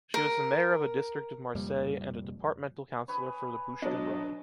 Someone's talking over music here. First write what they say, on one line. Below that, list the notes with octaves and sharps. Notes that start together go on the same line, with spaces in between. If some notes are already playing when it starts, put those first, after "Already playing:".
She was the mayor of a district of Marseille and a departmental counsellor for the Bouches-du-Rhône.
A#4
F1 F2 A#2 G3
G#4 B4 C#5
B2 F#3 D4 D5 D#5